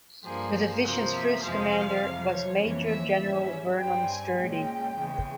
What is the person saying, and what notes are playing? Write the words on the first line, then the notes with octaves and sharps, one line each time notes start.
The division's first commander was Major General Vernon Sturdee.
G2 F3 A#3 G#4
C3 F3 A#3 C5
E5
F2 C3 F3 G#3 F5
F2 C3 F3
C#5
F2 E3 A#3 C#4 C#5
E5
G#2 G3 C#4
G2 G3 C4 G5
G#5
A#2 G#3 C#4 G5
E2 C#3 E3 G#3